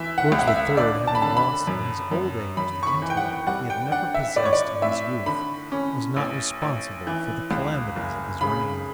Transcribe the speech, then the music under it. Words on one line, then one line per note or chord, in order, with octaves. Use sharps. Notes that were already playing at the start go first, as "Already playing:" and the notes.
George III., having lost in his old age the intellect he had never possessed in his youth, was not responsible for the calamities of his reign.
Already playing: D2 E3 E5
F#5
C#2
F#5
E5
D3 D5
A5
B5
D3 A5
B5
F#2
F#2
F#2 B5
C#6
B5
E3
G5
F#5
G3 F#5
G5
D4 F#5
E5
A2 D5
C#5
D5
A2 E5
D3 B5
C#4
A1
A1
E3
C#2
F#1
C#3 B5